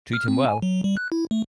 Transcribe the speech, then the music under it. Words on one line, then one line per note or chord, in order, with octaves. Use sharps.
Treat him well!
F6
C4
G#5
F#3
G3
F#6
E4
A3